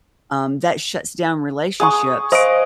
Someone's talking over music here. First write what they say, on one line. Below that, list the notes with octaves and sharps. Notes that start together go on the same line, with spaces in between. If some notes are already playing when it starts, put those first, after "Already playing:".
Um, that shuts down relationships
G#4 F#5 C#6 D#6
C5 D#5 F5 D7